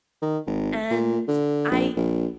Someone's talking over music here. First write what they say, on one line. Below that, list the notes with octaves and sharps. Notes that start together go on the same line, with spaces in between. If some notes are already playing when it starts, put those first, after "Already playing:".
and I
D#3
G#1
A#2
D3
A#1
A#1